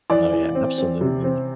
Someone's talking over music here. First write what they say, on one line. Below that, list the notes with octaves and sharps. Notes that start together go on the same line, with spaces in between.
No, yeah, absolutely.
E3 D5
E3
C4
C4
C3
C4